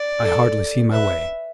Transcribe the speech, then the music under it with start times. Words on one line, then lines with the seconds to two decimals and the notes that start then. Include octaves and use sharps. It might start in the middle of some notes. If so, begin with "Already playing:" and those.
I hardly see my way.
Already playing: D5
0.22 A4
0.92 B4 E5